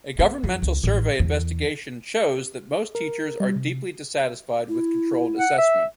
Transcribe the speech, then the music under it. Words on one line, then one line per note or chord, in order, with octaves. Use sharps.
A governmental survey investigation shows that most teachers are deeply dissatisfied with controlled assessment.
B3
F2
C#2
A1
E2
A#4
G3
C3
E4
F#5
E5